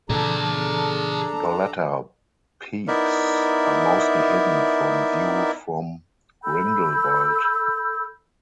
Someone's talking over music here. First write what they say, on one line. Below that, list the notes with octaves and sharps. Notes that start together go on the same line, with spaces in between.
The latter peaks are mostly hidden from view from Grindelwald.
A#2 C#3 E3 D4 G#4 A4 D5 A#5
B3 D#4 E4 A#4 D5 E5
A4 B5 E6 G6